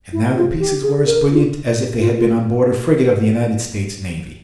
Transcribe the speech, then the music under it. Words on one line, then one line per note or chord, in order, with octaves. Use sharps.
And now the pieces were as brilliant as if they had been on board a frigate of the United States Navy.
E4
F4
G4
G#4
A#4
F4
F4
F4